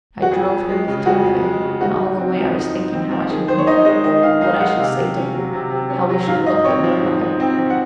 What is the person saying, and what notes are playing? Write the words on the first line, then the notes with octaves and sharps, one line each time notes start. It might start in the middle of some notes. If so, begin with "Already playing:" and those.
I drove here with Timofey, and all the way I was thinking how I should meet him, what I should say to him, how we should look at one another.
F#4
F2 G#4
F2
G#3
C#3
G#4
F2 F#4
F2
G#3
C#3
D#4 F#4
G#2
C4
F3
D#4
G#2
C4
F3
D#3 G#4
D#3 C5
C#5
D#4 D#5
G#3 D#5
D#3 D#5
D#3 F5
D#4 F5
G#3 F#5
C3 F5
C3
C#4
F#3
C3
C3
C#4
F#3
G#2 F5
G#2 D#5
C4 C#5
F3
G#2
G#2
C4
F3
F#5